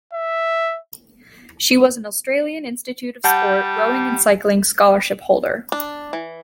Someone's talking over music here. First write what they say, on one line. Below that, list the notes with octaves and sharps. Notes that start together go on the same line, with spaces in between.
She was an Australian Institute of Sport rowing and cycling scholarship holder.
E5
G3 F#5 A5 G6
D4
E3